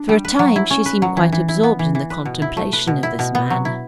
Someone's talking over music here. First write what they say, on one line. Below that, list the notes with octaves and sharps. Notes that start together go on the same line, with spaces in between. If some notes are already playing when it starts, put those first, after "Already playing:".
For a time, she seemed quite absorbed in the contemplation of this man.
Already playing: D4
G3
B4
F#3
E4
C#4
B4
F#3
E3
E3
E4
B3
E3
E3
B4
B2
E4
A3
B4
B2
E4
B2
B3
F#3
E4